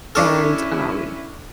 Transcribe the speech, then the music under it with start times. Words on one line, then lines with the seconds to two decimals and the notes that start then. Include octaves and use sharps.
and, um,
0.15 C#4 D4 E4 A4 C#6 F6